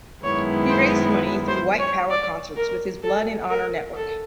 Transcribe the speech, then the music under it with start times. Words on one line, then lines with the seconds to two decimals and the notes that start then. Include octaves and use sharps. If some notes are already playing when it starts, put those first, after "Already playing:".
He raised money through white power concerts with his Blood and Honour network.
0.23 F#2 D#3 G#3 B3 E4 C#5
0.70 C5
1.16 B4
1.48 C5
1.79 C#5
2.10 D5
2.56 A#4
3.03 A4
3.50 A#4
3.96 A4